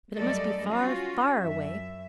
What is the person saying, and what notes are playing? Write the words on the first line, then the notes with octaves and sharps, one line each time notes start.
But it must be far, far away!
F#2 G3 A3 A4 D5 D#5
C#4 F4 F#4
F#2 E5